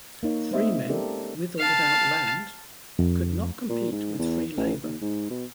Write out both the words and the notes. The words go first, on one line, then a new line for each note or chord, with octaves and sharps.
Freemen with or without land could not compete with free labor.
A#3 D#4 C#5
G#3 B3 C4 C5 D#5 E5
C#4 G4 A4 A#4 D5
F5 A5
F2
A#2
G#2
E2
A1
D#2
G#2
B2